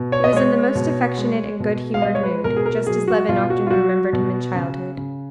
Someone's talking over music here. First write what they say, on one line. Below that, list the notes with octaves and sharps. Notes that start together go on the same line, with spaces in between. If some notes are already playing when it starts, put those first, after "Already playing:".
He was in the most affectionate and good-humored mood, just as Levin often remembered him in childhood.
Already playing: B2
C#5
D#5
G#3 C#5
B2
G#3
B2
F5
G#3 D#5
C#5
B4
B2 A#4
G#4
A#4
F#3 G#4
F#4
B2 F4
F#4
F4
F#3 F#4
B2
C#3
C#3